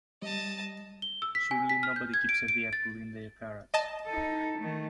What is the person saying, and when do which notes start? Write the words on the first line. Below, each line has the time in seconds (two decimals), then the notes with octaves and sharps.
Surely nobody keeps a vehicle in their garage?
0.22 G3 D#5 A5
1.02 G7
1.22 E6
1.35 B6
1.51 G#5
1.69 B6
1.83 F6
1.96 G6
2.14 G#6
2.29 D7
2.48 D7
2.73 A6
3.74 D#5 A5
4.06 D#4 A4
4.59 D#3 A3